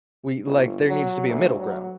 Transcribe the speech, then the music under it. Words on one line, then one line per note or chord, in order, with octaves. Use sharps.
We like, there needs to be a middle ground
G1
F#3
D2
F#3